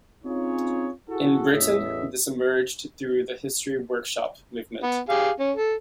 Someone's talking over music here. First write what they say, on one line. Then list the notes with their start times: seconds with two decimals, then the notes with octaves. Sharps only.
In Britain, this emerged through the History Workshop Movement.
0.25 C4 C#4 D#4 F4 G#4 C#5
1.09 E4 F#4 G#4 A4
1.52 A1 E2 A3 C#5 D#5 E5
4.83 B3
5.09 G4 G#4 F5
5.39 C#4
5.57 A4